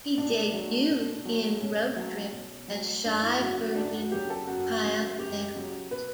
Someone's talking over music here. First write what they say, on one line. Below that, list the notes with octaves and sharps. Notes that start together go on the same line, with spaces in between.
He debuted in "Road Trip" as shy virgin Kyle Edwards.
B2 D4
F#3 A3
B2
F#3 A3
B2 C#4
F#3 A3
B2
F#3 A3
F#2 D4
E4
C#3 F#3 F#4
F#4
F#2 D4
F#4
C#3 F#3 G4
A4
F#2 F#4
C#3 F#3
F#2 G4
C#3 F#3
B2 B4